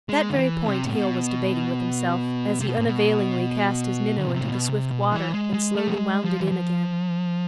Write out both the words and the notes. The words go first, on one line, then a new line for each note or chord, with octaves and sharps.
That very point Hale was debating with himself as he unavailingly cast his minnow into the swift water and slowly wound it in again.
G#3
D3
E3
C3
A2
B2
C3
B2
A2
B2
D3
C3
A2
B2
C3
B2
E3
G#3
G#3
A3
F3
G#3
F3
E3
F3